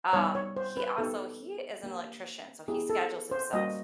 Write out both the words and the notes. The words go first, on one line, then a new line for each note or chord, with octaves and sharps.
um, he also he is an electrician, so he schedules himself.
G3 B3 D#4 C#5
C#5
C5
B4
B3 D#4 G4 A4
A#3 D4 G4
B3 E4 G4 G#4
A4
C5
G3 A#3 C#4 F#4 D#5